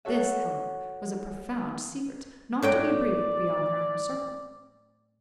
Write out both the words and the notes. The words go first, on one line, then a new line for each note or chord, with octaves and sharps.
This, however, was a profound secret, not to be breathed beyond their own circle.
F#4 A4 C#5 E5
A2 F#3 D5 G5